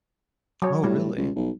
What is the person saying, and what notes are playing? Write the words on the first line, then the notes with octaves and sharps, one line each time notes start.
Oh, really?
F#3 C#5
A2 G3
C#2
B1